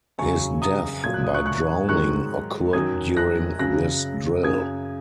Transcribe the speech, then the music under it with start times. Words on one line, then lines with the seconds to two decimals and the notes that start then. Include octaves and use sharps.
His death by drowning occurred during this drill.
0.18 F#2 C#3 F#3 G#5 C#6
0.62 A#5 D#6
1.04 A#2 F#3 G#6
1.14 F#6
1.24 D#6
1.34 C#6 F#6
1.46 C#6 F#6
1.88 G#2 D#3 F#3 C#6 F#6
2.73 F#2 D#3 F#3 D#6 G#6
3.17 F#6 A#6
3.59 F#2 C#3 F#3 F#6 A#6
4.43 F#2 C#3 F#3 D#6 G#6